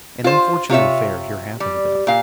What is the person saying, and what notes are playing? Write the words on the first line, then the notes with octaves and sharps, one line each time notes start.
An unfortunate affair here happened to them.
F4 C5
C3 F4 C#5 E5
G3
A#2 F5